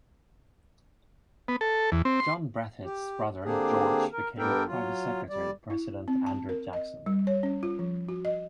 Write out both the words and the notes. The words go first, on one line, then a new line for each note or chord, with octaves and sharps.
John Breathitt's brother, George, became a private secretary to President Andrew Jackson.
B3
A4
E2
C4
C6
G4
D3 A#3 C4 D4 G4 G#4
A#4
G2 B3 D4 A4 A#4 G5
F#3 F4
G3 D5
E4
C4
A5
A#4
D#5
G3
C#5
C#4
F4
F3
F#4
D#5